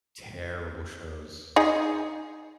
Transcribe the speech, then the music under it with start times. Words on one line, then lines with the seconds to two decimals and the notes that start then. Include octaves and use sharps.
Terrible shows.
1.56 D#4 G#4 D#5